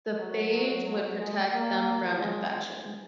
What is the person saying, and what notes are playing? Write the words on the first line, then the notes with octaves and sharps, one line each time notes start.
The phage would protect them from infection.
F#3
F#3
F#3
G#3
A#3
G#3